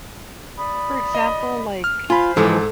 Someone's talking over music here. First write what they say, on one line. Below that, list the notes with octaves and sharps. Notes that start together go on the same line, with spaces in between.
For example, like
D5 B5 D#6
D#5
F6
F4 C5 G#5 B5
G#2 E3 F3 G#3 A4